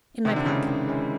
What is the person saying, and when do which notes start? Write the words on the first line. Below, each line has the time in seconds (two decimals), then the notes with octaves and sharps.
"In my pocket."
0.25 C3 D#3
0.36 D3
0.46 C#3 G#3 C#4 E4
0.67 D#3
0.87 G#3 C#4 E4